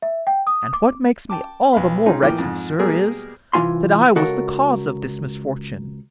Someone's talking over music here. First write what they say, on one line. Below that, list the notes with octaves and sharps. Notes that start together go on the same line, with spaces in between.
"And what makes me all the more wretched, sir, is, that I was the cause of this misfortune."
E5
G5
D#6
D6
G5 A5 D6
B1 F5 B5
G#3 C4 C#4 D#4 F4 G#4
A2 E3 F3 A#3 G5 D6
F2 G#2
B2 G3 G#3 A#3 G#4 A#4
C2 E3 C4 F4 G#5 C6
C#2 F#4 A4 A#4